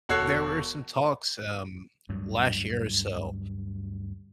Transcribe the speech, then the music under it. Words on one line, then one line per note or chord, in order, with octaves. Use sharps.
There were some talks, um, last year or so,
E1 F#4 A4 C#5 F#6 C7
D2 G2 F#3